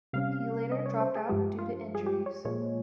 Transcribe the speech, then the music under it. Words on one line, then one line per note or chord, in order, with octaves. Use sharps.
He later dropped out due to injuries.
C3 G3 C#4 F5
D#5
C#5
C5
G#4
G2 F3 G#3 G4
F4
G#4
G4
C#5
A#2 F3 G#3 C#5